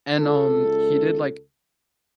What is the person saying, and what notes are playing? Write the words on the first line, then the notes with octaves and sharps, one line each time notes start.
And, um, he did like
C#2 A4